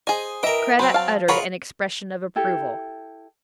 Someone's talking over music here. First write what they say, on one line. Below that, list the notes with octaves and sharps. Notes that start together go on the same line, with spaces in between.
Kreta uttered an expression of approval.
G#4 C5 D#5 G#5
E3 A#4 D#5 E5 G5
F#3 C4 B4 C5
F5 A5
F4 G#4 A#4 C#5 F#5 B5
E4 G4 A4